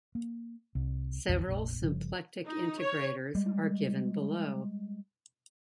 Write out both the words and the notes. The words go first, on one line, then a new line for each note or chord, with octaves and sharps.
Several symplectic integrators are given below.
A#3
C2
E1 A#1 E2 D3
F1 A#1
G1 C#3 F3
D#4
C#5
G3 G#3